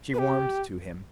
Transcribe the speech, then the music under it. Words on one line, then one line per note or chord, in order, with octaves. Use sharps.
She warmed to him.
B4
G4